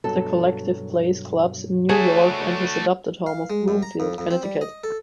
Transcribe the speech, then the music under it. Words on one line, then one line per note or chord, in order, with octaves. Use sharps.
The collective plays clubs in New York and his adopted home of Bloomfield, Connecticut.
G2 B2 F#3 A4
A3 F#4 G#4 C#5
F5
G#3
F#2
A#5
F2
F2
C4
G3
D#5
A4